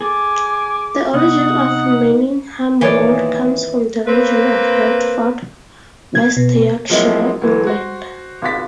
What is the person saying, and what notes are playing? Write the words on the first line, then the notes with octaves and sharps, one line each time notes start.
The origin of Manningham Road comes from the region of Bradford, West Yorkshire, England.
G#4 A4 G#5 D6
C3 B3 D#4 B4 F#5 D#6
A#2 D#3 E3 G#4 C#5 D5
A#3 C4 B4
G#6
B2
F3 F#3 G#3 A#3 C4 E4
D2 E3 F#3
F#4 C5
G#1 C#2 F#4 A6 B6